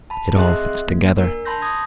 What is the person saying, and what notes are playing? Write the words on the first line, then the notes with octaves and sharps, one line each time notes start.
It all fits together.
A5 B5
C4 G#4 D#5 E5 C6 F#6
A#3
D4 A#4
A5 B5 C6 G6 A#6
D#6 G#6 A#6